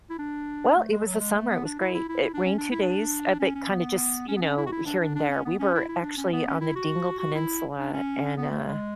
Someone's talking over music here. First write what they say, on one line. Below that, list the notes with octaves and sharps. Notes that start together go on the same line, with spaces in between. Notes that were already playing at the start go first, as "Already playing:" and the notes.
Well, it was a summer, it was great, it rained two days, a bit, kinda just you know, here and there, we were actually on the Dingle Peninsula and, uh
E4
D4
A3
G#3
F#3
G#3
A3
B3
D4
E4
E4
E4
E4
D4
C#4
D4
E4
D4
C#4
C#4
B3
C#4
B3
C#4
E4
F#4
E4
D4
D4
D4
C#4
B3
C#4
E4
E4
D4
C#4
B3
C#4
E4
F#4
F#4
E4
D4
C#4
B3
A3
G#3